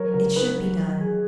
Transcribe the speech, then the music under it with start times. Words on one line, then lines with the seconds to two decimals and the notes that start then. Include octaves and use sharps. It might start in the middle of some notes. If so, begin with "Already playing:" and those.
It should be done!
Already playing: F#3 A#4 C#5
0.14 C#3 A#4
0.36 D#4 B4
0.58 F#3
0.79 D#3
1.01 G#4